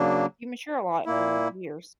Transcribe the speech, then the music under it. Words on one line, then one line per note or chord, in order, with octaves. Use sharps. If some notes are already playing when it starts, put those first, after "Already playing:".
Like, you mature a lot over years.
Already playing: C#3 F#3 A#3 D4
A#2 A#3 E4